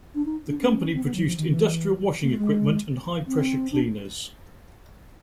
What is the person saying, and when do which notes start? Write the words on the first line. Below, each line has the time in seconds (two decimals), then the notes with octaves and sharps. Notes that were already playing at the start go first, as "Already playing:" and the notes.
The company produced industrial washing equipment and high pressure cleaners.
0.15 D4
0.25 D#4
0.48 D4
0.59 C#4
0.93 C4
1.04 B3
1.15 F#3
1.26 F3
1.37 D#3
1.48 E3
2.23 A#3
2.30 A3
2.38 G#3
3.27 C4
3.72 D4